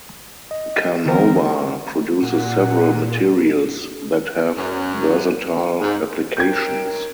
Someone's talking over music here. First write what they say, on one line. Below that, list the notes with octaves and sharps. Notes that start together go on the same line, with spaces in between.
Carnauba produces several materials that have versatile applications.
D#5
D3 E3 B3 C4 A#4
A#2 F#5
F#2
G#2
C#4 D#4 A#4 G5 G6 G#6